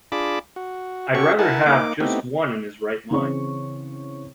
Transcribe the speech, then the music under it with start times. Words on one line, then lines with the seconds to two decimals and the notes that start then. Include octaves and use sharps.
I’d rather have just one in his right mind.
0.12 D4 F4 G#4 A5 B5 D6
0.56 F#4
1.15 C#4 F#4 G4 A4 C#6
1.39 E4 A#4 F#5 G#5 A5
1.66 A#3 D#4 D6
2.00 A3 B3 C4 D#4 E4 G4
3.11 C#3 E3 C4 G#4 C#5 C#6